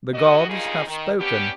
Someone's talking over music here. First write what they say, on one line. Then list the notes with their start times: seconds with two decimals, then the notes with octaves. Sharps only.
The gods have spoken.
0.13 D#2 F#4 D#5
0.49 G2 C#3 A#3 D#4 F4 G#4
0.87 D#3
1.20 B3 C#4 D4 G4